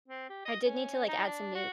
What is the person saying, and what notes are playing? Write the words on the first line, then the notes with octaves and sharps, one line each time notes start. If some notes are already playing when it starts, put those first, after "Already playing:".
I did need to, like, add some new,
C4
G4
D#5
C#4
D#4
D4
F#4